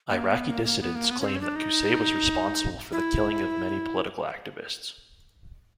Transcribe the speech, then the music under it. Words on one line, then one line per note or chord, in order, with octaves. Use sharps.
Iraqi dissidents claim that Qusay was responsible for the killing of many political activists.
A#3
B3
A#3
A#3
B3
A#3
B3
C#4
C4
C#4
D4
D#4
E4